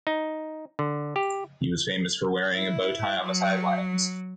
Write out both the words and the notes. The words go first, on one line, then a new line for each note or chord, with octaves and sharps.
He was famous for wearing a bow tie on the sidelines.
D#4
D3
G4
E4
F#3